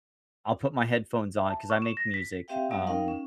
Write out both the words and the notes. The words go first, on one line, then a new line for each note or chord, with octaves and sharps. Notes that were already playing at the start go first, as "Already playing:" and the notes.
I'll put my headphones on, 'cause I make music, um,
E5
A5
C#6
E7
A#6
B6
C4 G4 E5 F5 G5
G3 B3 C#4 F5 D#6
D#4 A#4 D#5 F5 G5
C#4